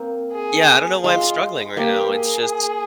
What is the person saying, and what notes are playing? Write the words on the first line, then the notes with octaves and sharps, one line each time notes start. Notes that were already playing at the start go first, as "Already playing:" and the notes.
yeah, I don't know why I'm struggling right now. It's just
Already playing: A#3 C4
G#4
G#3 F4
A#3 G4
G#4